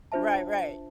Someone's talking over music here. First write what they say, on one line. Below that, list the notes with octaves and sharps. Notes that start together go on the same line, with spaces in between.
Right, right.
D4 F4 C5 E5 A5